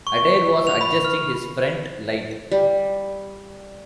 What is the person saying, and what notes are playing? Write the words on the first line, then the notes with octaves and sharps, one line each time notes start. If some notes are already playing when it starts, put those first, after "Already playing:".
Adair was adjusting his front light.
C#6
F7
B5
F6
G3